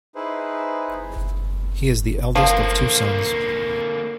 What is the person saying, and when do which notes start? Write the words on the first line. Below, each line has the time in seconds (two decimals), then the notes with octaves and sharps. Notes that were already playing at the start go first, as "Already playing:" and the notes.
He is the eldest of two sons.
0.15 D#4 E4 G#4 B4 C5
2.36 D3 F3 A#3